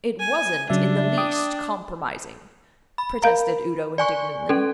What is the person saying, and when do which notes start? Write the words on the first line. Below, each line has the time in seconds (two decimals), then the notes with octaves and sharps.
"It wasn't in the least compromising," protested Udo indignantly.
0.20 G#5
0.70 C#3 F#3 D4 E5
1.18 G5 D6 D#6
2.98 B5
3.22 A#4 F5 A#5
3.98 D5 G#5 C#6
4.49 C#4 A4